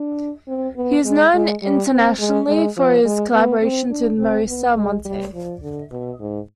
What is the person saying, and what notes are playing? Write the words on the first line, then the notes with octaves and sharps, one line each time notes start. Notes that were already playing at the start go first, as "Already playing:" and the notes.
He is known internationally for his collaborations with Marisa Monte.
Already playing: D4
C4
B3
G#3
G#3
G3
C4
G#3
G#3
F3
G#3
B3
C4
D4
C4
B3
G#3
G3
F3
D3
B2
G#2